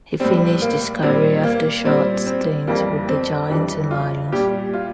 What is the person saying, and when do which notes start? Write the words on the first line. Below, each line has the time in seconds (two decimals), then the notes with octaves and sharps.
He finished his career after short stints with the Giants and Lions.
0.20 A2 G3 C4
0.62 A#3
1.02 A#2 G3 C4
1.43 A#3
1.84 A#2 G3 C4
2.26 C4
2.67 F2 E3 G3 A#3
3.09 C4
3.50 F2 E3 G3 D4
3.91 F4
4.32 A#2 G3 G4
4.74 F4